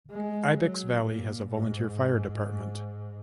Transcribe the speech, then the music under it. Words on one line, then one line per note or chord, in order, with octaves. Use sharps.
Ibex Valley has a volunteer fire department.
G#3
F#3
A#2
G#2